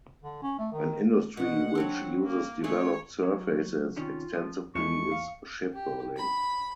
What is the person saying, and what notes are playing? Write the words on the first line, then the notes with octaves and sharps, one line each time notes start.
An industry which uses developed surfaces extensively is shipbuilding.
D3
C#4
A3
D#3
D2 B2 F#5
F#3 C4 A4
A#3
A3 D4 G#4 C#5
F#3
C3 D#3 C#4 F4
F3
E2 F3 G#3 A3 C#6
F5
G4
B5